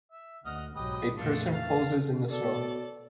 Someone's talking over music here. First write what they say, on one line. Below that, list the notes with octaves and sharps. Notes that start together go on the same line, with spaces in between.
A person poses in the snow.
E5
D2 D#5 F#5 F6
B1 G#2 F#3 G4 B4 D#5
A#1 F2 A3 D4 F4 A4
F5 A5
B2 A4 D5